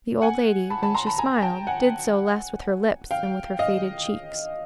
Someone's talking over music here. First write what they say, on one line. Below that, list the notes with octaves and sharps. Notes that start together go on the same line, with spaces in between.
The old lady, when she smiled, did so less with her lips than with her faded cheeks.
F#5 G#5
A5 B5
A5 B5
A#5 C6
A5 B5
G#5 A#5
G#5
G5 A5
F#5 G#5
F5 G5
D#5 F5